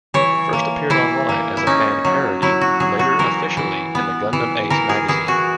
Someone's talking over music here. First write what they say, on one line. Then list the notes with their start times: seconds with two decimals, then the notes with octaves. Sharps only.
First appeared online as a fan parody, later officially in the Gundam Ace magazine.
0.14 E3 C#5
0.53 A#3
0.90 E3 E4
1.29 A#3
1.57 E4
1.67 C#4 D#4
2.05 F#3
2.42 F#3 E4
2.61 F#4
2.80 F#3 G#4
2.99 F#4
3.19 E3 A#4
3.57 E3
3.95 B3
4.33 E3
4.70 E3 A#4
4.89 G#4
5.08 E3 G#4
5.28 F#4